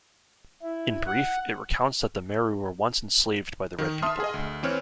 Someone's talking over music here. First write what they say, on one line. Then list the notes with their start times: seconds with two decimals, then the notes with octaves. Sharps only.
In brief, it recounts that the Meru were once enslaved by the Red People.
0.62 E4
1.07 F#5
3.78 D#3
4.02 E5 A5 C6 D#6 F6
4.20 G#4 D#5
4.34 D2
4.63 E3 C4 C#5 F6